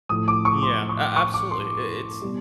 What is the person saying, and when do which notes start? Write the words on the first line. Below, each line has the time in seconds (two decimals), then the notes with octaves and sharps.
Yeah, a absolutely, i it's,
0.09 A2 F3 A3 D#6
0.28 D6
0.45 C#6
0.62 C6
0.89 C#6
1.16 C#6
1.34 D6
1.51 C6
2.22 B2 G3